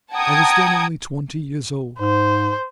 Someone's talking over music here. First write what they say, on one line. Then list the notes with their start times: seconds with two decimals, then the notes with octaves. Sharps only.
I was then only twenty years old.
0.14 F#5 G5 A5 A#5 D#6 G#6
2.00 G#2 C5